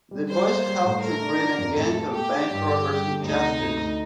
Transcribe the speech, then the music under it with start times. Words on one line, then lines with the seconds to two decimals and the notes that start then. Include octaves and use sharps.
The boys help to bring a gang of bank robbers to justice.
0.11 G3
0.30 G3 C5
0.48 A#3
0.66 G3
0.85 A2
1.03 A3 A#4
1.22 D4
1.40 D4
1.58 F2
1.76 A2 A4
1.94 A3
2.13 A3 G4
2.32 D4
2.51 G2
2.68 D3
2.87 G3
3.06 D3
3.23 D2 D#4
3.43 C3
3.60 D2
3.79 D2